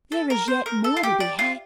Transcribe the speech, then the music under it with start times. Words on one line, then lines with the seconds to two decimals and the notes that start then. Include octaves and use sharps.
"There is yet more to be had!"
0.12 A4
0.30 A#4
0.48 C5
0.66 A#4
0.84 A4
0.97 F4
1.03 G4
1.20 D5
1.39 F4